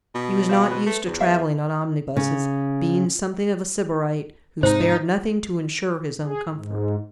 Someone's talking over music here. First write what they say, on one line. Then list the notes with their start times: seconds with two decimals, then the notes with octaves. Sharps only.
He was not used to travelling on omnibuses, being something of a sybarite who spared nothing to ensure his own comfort.
0.15 B2
0.49 C5 F5 G5
0.71 B4 C5
0.86 A3
1.05 E2
1.20 E5 F5
2.16 C#3
4.63 G#2 C3 D#4 C5
6.24 G#4
6.54 G#2